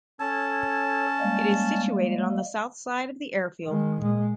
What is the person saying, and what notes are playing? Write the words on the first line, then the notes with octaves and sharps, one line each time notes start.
It is situated on the south side of the airfield.
C#4 A4 C#5 A5
G3 G#3 A#3
D#3 G#3
A#2 G#3